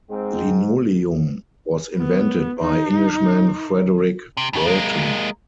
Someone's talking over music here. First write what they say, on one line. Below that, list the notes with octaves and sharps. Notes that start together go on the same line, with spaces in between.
Linoleum was invented by Englishman Frederick Walton.
G#2 G#3 C4
B3
D#4
C3
F2 C#3
G#3 A#3